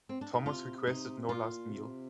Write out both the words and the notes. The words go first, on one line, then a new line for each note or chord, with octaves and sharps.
Thomas requested no last meal.
C4
D4
D#4
C3 F4
C3 D#4
A#2 F4
C3